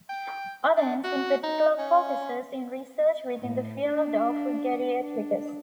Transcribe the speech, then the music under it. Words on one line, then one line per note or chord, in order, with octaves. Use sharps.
Odense in particular focuses on research within the field of geriatrics.
G5
D4
F#4
D#4
C#4
A2
D4
D4